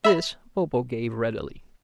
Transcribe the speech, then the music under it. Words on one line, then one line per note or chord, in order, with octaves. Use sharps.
This Bobo gave readily.
E5 B5